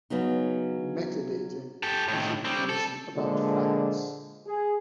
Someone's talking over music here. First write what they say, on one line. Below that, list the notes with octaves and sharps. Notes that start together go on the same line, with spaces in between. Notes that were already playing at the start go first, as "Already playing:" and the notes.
Metadata is information about facts.
C#3 F#3 B3 D#4
G4 A4
A2 D#3
G3 C4
A4
A#2 D3 F3 G#3
G#4